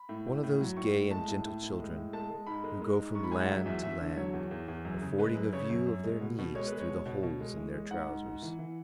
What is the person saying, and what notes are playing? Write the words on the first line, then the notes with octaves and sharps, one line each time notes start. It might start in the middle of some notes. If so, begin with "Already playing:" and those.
One of those gay and gentle children, who go from land to land affording a view of their knees through the holes in their trousers.
Already playing: B5
A2
A2
A2
F#3
A2 C#6
A2
G#3 A5
A2
A2
A2
G#3
A2
G#3 A5
G#3
G#2 B5
G#3
G#3
G#2
G#2 C#6
B5
G#3 G#5
F#5
F#3 E5
E2 E5
E2 E5
D3
F#3 C#5
E2
E2
E2
F#2
C#3
G#3 B4
F#2
C#3 C#5
F#2
F#2
G#3
B2
B2
G#3 C#5
B4
G#3
C#5
B2
B2
B2
G#3
E3
G#3
G#2 F#5
G#2
G#2
E3
E3